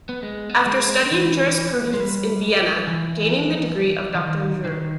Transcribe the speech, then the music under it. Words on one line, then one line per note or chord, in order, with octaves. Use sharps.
After studying jurisprudence in Vienna, gaining the degree of Doctor jur.
B3
G#3
B3
A#3
G#3
E3
G#3
G3
E3
E3
D#3
D#3